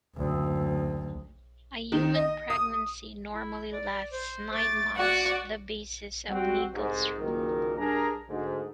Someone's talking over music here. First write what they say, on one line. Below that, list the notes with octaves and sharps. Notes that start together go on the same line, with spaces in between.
A human pregnancy normally lasts nine months, the basis of Naegele's rule.
F#1 D2
D#3
D#5
D#6
E4
D5
C5
A3 D6 A6
F#4 D5 F#5
G3 C4 F#4
C2 G#2
F#1 A#2 D#3 A#4
G2 D4 G#4 A#4 A#5
D2 G#2